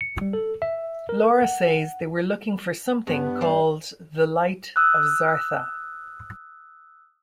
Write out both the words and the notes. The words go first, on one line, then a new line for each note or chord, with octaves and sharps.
Laura says they were looking for something called the Light of Zartha.
C#7
G3
A4
E5
A#4
F#5
G2 B3
G3 C5
D#6 E6 F#6